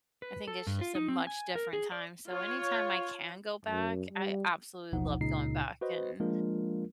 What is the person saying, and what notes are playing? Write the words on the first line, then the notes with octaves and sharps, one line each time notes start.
I think it's just a much different time. So anytime I can go back, I absolutely love going back and
B4
A4
G2
F4
D#4
C4
G#5
A#4
G#4
D5
F4 C#5
F#2
G3
A1 D#2 B2 F3 D#4 F#5
C#2 A#2 C#3 D#4 C7
F#4 B4 C5 D#5
F3 G#3 A#3 D4 F4 A#4